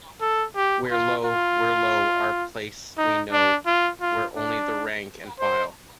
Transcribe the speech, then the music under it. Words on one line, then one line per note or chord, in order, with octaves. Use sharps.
We're low—we're low—our place we know, We're only the rank and file.
A4
G4
F4
F4
D#4
D4
F4
F4
D4
C5